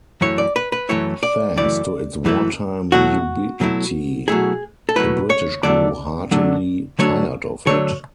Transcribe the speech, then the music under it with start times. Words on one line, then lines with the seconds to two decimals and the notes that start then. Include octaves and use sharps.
Thanks to its wartime ubiquity, the British grew heartily tired of it.
0.21 F#2 E3 A3 E4 C#5
0.38 D5
0.56 B4
0.72 B4
0.89 F#2 E3 A3 E4 C#5
1.23 D5
1.56 F#2 E3 A3 E4 D5
2.25 F#2 E3 A3 E4
2.92 B2 F#3 A3 E4 F#4
3.60 B2 F#3 A3 E4
4.28 B2 F#3 A3 E4 G#4
4.89 A4
4.96 B2 F#3 A3 E4 B4
5.30 C#5
5.63 D3 F#3 A3 D4 D5
6.31 D3 F#3 A3 D4
6.99 D3 F#3 A3 D4 C#5
7.67 D3 F#3 A3 D4 C#5